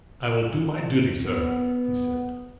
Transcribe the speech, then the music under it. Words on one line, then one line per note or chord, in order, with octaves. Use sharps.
"I will do my duty, sir," he said.
B3